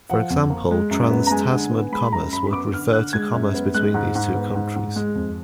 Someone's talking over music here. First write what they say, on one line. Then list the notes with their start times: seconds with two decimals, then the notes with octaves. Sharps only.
For example, Trans-Tasman commerce would refer to commerce between these two countries.
0.10 F3 F#5
0.30 F2
0.50 A#3
0.71 G#3
0.91 F#2
1.11 B3
1.27 A#5
1.31 G#3 G#5
1.51 D3
1.71 B3
1.92 G#3 B5
2.12 F#2 A#5
2.33 F#2 B5
2.47 B5
2.53 B3 D6
2.73 D3 F6
2.93 D3 F#6
3.13 G#3 G#6
3.33 F#2
3.54 B3
3.74 G#3 F#6
3.94 G#2
4.15 G#2
4.35 B3
4.55 G#2
4.76 G#2
4.96 G#3
5.15 F2